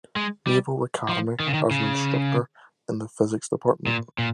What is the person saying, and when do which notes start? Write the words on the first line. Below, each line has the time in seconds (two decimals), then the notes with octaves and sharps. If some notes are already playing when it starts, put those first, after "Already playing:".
Naval Academy as an instructor in the Physics Department.
0.16 G#3
0.47 G3
1.09 F3
1.40 D#3
1.47 C#3
1.54 D#3
1.71 C#3
3.87 A#2
4.18 A#2